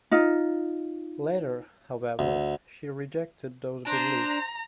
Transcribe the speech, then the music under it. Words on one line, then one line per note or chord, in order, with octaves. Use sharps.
Later, however, she rejected those beliefs.
D#4 F4
D2
D4 C5 A#5